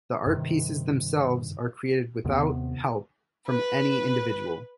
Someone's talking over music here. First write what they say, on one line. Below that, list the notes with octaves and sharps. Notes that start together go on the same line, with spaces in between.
The art pieces themselves are created without help from any individual.
G2 C3 D#3
D#2 C3 B3
B4